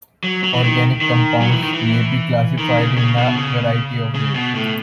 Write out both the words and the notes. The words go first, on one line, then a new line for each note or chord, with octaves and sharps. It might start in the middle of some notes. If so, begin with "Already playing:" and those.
Organic compounds may be classified in a variety of ways.
F#3
F#3
E3
D#3
D#3
F#3
E3
D#3
E3
D#3
C#3
C#3
B2
C#3
C#3
B2
A2